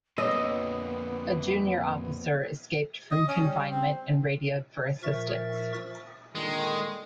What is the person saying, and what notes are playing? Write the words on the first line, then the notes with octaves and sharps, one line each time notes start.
A junior officer escaped from confinement and radioed for assistance.
F2 A#2 B3 C#5 D#5 E6
D#5
C#4
G3
C4
A#2 F3 A#4 E5 C#6 A6
A#2 D3 D#3 G#3